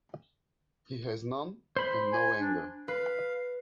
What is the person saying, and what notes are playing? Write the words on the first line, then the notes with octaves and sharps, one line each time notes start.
He has none, and no anger.
C5 B5
G#5
D4
B4 F5